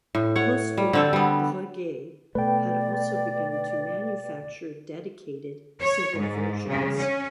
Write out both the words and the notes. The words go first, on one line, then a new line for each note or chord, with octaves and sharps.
Postwar, Breguet had also begun to manufacture dedicated civil versions.
A2
C#5 F#5
G3
D3 C4 A4
G3 B3
B2 A3 B4 D5 G5
C#5
G#2
C#3
C#4